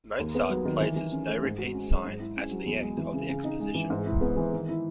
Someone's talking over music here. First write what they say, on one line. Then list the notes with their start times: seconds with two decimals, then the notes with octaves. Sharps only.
Mozart places no repeat signs at the end of the exposition.
0.19 D#2
0.35 B3
0.49 F#3
0.65 D#3
0.80 E3
0.96 E3
1.12 C#4
1.27 A3
1.43 G#2
1.58 F#4
1.74 C#4
1.90 F#3
2.05 G#2
2.20 E4
2.36 C#4
2.51 F#3
2.66 E2
2.82 G#3
2.97 E3
3.13 C#3
3.29 C#3
3.44 D#4
3.60 G#3
3.75 E3
3.90 G#2
4.06 E4
4.21 B3
4.36 E3
4.53 D#3
4.68 E4